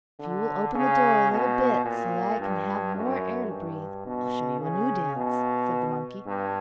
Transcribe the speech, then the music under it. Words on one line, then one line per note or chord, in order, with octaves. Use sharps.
"If you will open the door a little bit so that I can have more air to breathe I'll show you a new dance," said the monkey.
D3
C#3
B2
A#2
G2
F#2
G2
B2
C#3
B2
G2